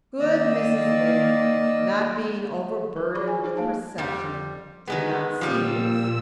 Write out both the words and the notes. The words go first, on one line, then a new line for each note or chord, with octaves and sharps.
Good Mrs. Lynde, not being overburdened with perception, did not see this.
D#3 A#3 D5 D#5 E6
A#4
F3 F4 G#4 D5 B5 D6
G#5
D#4 F4 G#4 C5
A#3 F5 A5
F2 G3
D#3 G#3 B3
A#2 F3 G3 E6